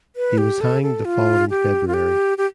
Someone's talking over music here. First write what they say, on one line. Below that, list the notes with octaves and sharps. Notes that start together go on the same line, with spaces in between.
He was hanged the following February.
B4
G4
A4
A4
F4
G4
F4
G4
G4